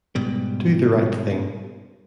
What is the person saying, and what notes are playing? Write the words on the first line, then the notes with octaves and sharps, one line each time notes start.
Do the right thing.
G#2 B2 G3